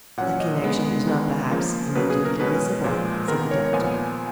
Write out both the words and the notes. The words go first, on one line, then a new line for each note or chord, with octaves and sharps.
"The connexion is not perhaps immediately visible," said the doctor.
A#2 F#3 C#4 F#5
D#5
C#3 G#3 B3
D#3 G#3 B3
C#3 F3 A#3
B2 F#3 A#3 B4
G#4
A#4
B2 G#3 C#4 B4
A#2 F3 G#3
D#3 G#3 B3 A#4
C#5
A#2 F3 B3 G#5